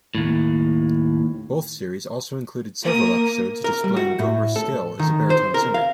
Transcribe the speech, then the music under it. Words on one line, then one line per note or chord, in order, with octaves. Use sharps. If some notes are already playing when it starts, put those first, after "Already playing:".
Both series also included several episodes displaying Gomer's skill as a baritone singer.
D#2 A2
A#3 A#4 D#6
A#4
G3
F#4
A2
A4
D#3
C5
A#4
F5